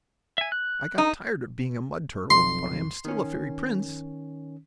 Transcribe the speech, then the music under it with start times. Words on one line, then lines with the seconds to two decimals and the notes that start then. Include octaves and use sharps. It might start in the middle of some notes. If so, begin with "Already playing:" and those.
"I got tired of being a mud turtle, but I am still a fairy prince!"
0.38 E5 G#5
0.52 F#6
0.98 D#4
2.30 B1 F2 C6
3.05 D#3 C#4